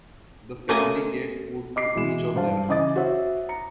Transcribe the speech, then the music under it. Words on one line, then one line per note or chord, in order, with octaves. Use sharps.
The family gave food to each of them.
A3 A#3 C#4 F4 D#5 G#5
D#5 D6 C7
B2 E3 G#3 E7
G2 C5 F5 A5
C#3 E3 D#5 D6 D#6 A6
F#4 C5 C#5 E5
A#5 C#7